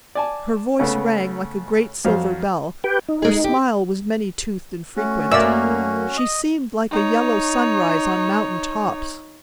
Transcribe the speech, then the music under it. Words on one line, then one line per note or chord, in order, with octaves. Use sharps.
Her voice rang like a great silver bell; her smile was many-toothed and frequent; she seemed like a yellow sunrise on mountain tops.
D5 G#5 A5
C#3 A3 B3 C#4
F2 F#3 C5 F5
G4 B4 G5
D#4
G#3 G#4
G4
A3 C#4 F#4
F#2 A#3 D5 E5 E6
D#5
D#4 C#5